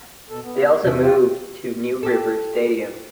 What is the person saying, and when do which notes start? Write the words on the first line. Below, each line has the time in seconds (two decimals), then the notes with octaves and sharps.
They also moved to New River Stadium.
0.30 B2 A4
0.43 B3
0.84 E2 C3 E5
1.01 F4 G4
2.03 G4 A4